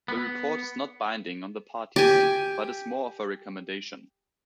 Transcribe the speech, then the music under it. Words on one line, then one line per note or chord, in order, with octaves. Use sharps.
The report is not binding on the parties, but is more of a recommendation.
B3
G4 G#5